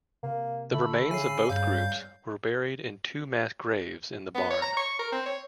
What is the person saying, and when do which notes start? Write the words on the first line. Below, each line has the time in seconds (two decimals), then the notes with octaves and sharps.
The remains of both groups were buried in two mass graves in the barn.
0.23 C3 A#3
0.73 D3 A3 B5 E6
1.11 C#3 G#5 C7
1.49 G2 G3 F5 G6
4.35 B3
4.50 C#5
4.62 A#5
4.77 C#6
5.00 A#4
5.12 C4
5.26 C#5